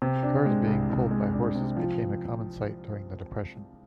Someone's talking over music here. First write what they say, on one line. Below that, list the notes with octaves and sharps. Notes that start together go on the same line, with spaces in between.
Cars being pulled by horses became a common sight during the Depression.
C3
D4
G#3
C2
C2
G#3
D4
C3
F3